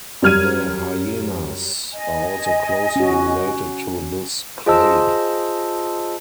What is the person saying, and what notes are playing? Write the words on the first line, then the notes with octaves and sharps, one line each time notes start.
The hyenas are also closely related to this clade.
F#2 G3 F6 G#6 D#7
D#5 G#5
C#4 F#4
F4 G#4 C5 D#5 A5 E6